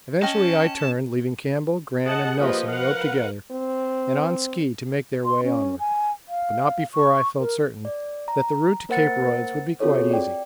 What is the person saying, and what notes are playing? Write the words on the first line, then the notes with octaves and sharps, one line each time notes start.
Eventually I turned, leaving Campbell, Gran, and Nelson roped together and on ski to make their way onward, but not before I felt certain that the route to Cape Royds would be quite easy.
C#4 D#5 G5 A5 F6
G#4 D#5 F#5 A5
F3 A#3 G4 B4 D#5
A#4 B4 F5 F#5
C4
C6
C#4
G#5
F5
C#6
A#4
D5
A#5
A#3 A#4 C5 F#5 A6 C#7
C4 F4 F#4 G#4 A4 C#5
D5 G5